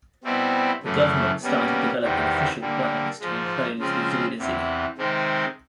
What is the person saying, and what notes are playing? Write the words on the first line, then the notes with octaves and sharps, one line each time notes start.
The government started developing official plans to enclose the Zuiderzee.
B2 G3 C4 E4
F#2 C#3 E3 A3
B2 G3 A#3 C#4
E2 C3 D#3 G3
D3 G3 A#3
G#2 F3 G#3
C#3 F3 G#3 C4
E2 C3 E3
C3 D#3 G#3 C4